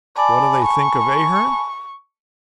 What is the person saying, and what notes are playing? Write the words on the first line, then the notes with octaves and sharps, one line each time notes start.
What do they think of Ahearn?
D5 G#5 A5 B5
C#6